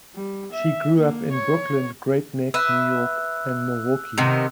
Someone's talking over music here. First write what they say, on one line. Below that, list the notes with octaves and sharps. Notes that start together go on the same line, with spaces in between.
She grew up in Brooklyn, Great Neck, New York, and Milwaukee.
G3
E5
A#3
C#5
B4 E5 E6 F#6
C3 D#3 B3